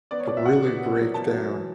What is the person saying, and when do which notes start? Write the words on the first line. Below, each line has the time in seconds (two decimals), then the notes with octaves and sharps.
but really break down
0.11 B3 D5
0.20 C#5
0.28 B3 D5
0.37 E5
0.46 B2 F#5
0.63 B2
0.80 B3
0.97 F#3
1.14 B2 A5
1.32 F#3
1.49 E3